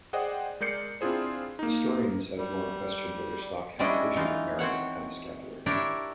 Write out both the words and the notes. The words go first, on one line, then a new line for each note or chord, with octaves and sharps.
Historians have long questioned whether Stock had the vision of Mary and the scapular.
G#4 C5 D5 D#5 F#5 G5
G#3 A#4 D5 G6 C7 C#7
C4 D4 E4 F4 G#4 C5
A#3 D#4
G3
G3 G#3 C#4 D4 E4 D#5
E3 D#4 F4
C4 C5 C#5 F#5
D4 E4 G4 A#4 C#5